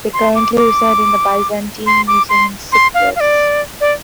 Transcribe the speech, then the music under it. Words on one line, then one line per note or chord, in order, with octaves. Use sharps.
They currently reside in the Byzantine Museum in Cyprus.
C6
D6
D6
C6
D6
C6
C6
F5
F5
D5
D5